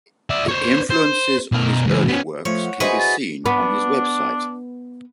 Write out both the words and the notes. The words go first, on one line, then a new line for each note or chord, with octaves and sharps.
Influences on his early works can be seen on his website.
D5 E5
C5 C#5
C5
B2 A#4
C#2 E3
B3 C#4
F3 A3 C#5
F#5
E4 F#4 G#4 B4 C5 D#5
A6
B3 D4